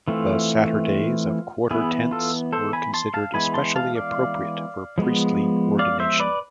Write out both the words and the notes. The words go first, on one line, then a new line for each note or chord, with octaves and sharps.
The Saturdays of Quarter Tense were considered especially appropriate for priestly ordination.
E3 A3 C4 F4
E3 B3 E4 G#4
F4 A4
A4 C5
G#5 B5
A5 C6
F5 A5
E3 G#3 B3 G#5 B5
A5 C6
F5 A5
D5 F5
F3 G#3 B3
D5 F5
C5 E5
B4 D5